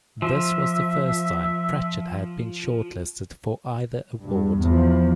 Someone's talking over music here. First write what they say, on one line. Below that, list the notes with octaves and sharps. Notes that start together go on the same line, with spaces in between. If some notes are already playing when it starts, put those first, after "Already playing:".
This was the first time Pratchett had been shortlisted for either award.
F3 E5
G2
E2 F3